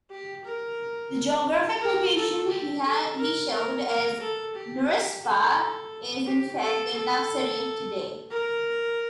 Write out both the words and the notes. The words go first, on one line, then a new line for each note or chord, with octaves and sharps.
The geographic location he showed as Narispa, is in fact the Navsari of today.
G4
A#4
A#4
A4
G4
A4
A#4
A#4
A#4
A4
G4
G4
A4
G4
A4
A4
A#4